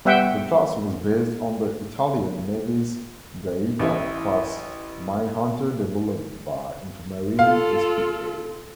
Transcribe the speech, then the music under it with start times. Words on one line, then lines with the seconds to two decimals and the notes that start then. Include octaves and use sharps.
The class was based on the Italian Navy's "Gaeta"-class minehunter developed by Intermarine SpA.
0.05 G3 B3 E5 F#5 G5
3.79 A1 E4
7.39 F4 A4 F5